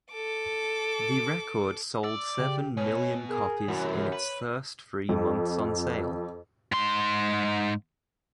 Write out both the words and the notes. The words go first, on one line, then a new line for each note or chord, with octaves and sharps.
The record sold seven million copies in its first three months on sale.
A4 D6
D5 E6
C#3 G4
B2 C#5 G#5
G#4 A#4
C2 F#2 E3 C#5
B4
F2
G#2 C6